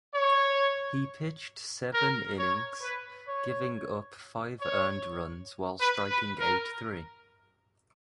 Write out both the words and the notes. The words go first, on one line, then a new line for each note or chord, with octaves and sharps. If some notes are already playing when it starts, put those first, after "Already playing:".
He pitched seven innings, giving up five earned runs while striking out three.
C#5
A#4
C#5
B4
C#5
C#5
B4
B4
A#4